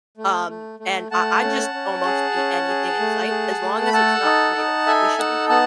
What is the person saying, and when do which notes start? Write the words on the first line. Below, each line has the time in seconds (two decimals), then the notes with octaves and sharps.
Um, and I I just almost eat anything in sight, as long as it's not tomatoes, we should be fine.
0.17 A3
0.49 A3
0.79 A3
1.11 A3 F#5 A5
1.43 C#4
1.74 C#4
2.05 G#4
2.36 C#4
2.68 G#4
2.99 A3
3.30 G#4
3.62 A3
3.87 B5
3.93 A4 F#5 A5
4.25 D#4
4.56 D#4
4.86 A4 E5 G#5
5.18 D#4 F#5 A5
5.49 B3 F#5 A5